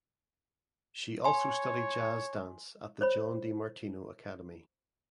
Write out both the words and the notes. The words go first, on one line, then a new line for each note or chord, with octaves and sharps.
She also studied Jazz dance at the John di Martino Academy.
C#5 G#5 C6
C5 C#5 B5